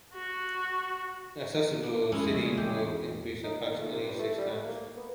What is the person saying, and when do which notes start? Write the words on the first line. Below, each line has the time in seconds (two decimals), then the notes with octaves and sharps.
Accessible seating will increase approximately six times.
0.14 F#4
1.83 D4
2.12 F2 A2 G#3 A3 C#4 E4 G#4
2.34 C#3
2.57 E2 G4
3.44 D#4
3.61 D#3
3.78 A3
3.92 C3
4.04 G2
4.19 A3
4.38 G3
4.50 A3
4.65 A#3
4.97 B3